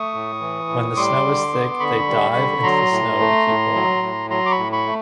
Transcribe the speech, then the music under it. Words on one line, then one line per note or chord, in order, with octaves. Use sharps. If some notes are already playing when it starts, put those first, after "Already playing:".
When the snow is thick they "dive" into the snow to keep warm.
Already playing: A3 C#6 D#6
A2
E3
A2
G3 C6 D6
D3
B3
D3 B5 C#6
G3
D3
F#3 A#5 C6
A2
A3
A2
F#3
A2
F#3 A#5 C6
D6
B5 C#6
A2
B5 C#6
A3